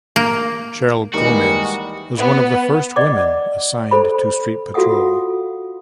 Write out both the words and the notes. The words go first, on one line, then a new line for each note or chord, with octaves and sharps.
Cheryl Gomez was one of the first women assigned to street patrol.
A#3
D#2 E3 G3 G#3 F#4 A#4
B3
D5 D#5 F#5 D6
A4 C5 B5
F4 F#4 A4 F5 F#5 D#6